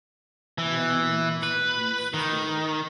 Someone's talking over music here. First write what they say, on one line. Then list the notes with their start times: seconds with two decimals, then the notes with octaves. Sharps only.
Graham ignores her pleas to stay away.
0.58 E3
1.43 B4
2.14 D#3